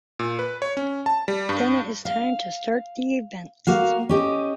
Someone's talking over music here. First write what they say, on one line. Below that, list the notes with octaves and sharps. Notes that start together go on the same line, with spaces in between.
Then it is time to start the events.
A#2
B4
C#5
C#4
A5
G3
G2
F5
A#3 F#4 F5
C#4 G4 D#5